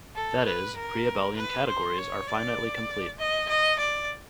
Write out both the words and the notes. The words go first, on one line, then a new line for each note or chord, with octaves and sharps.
That is, pre-abelian categories are finitely complete.
A4
B4
A#4
B4
C5
C#5
D5
D#5
D#5
D5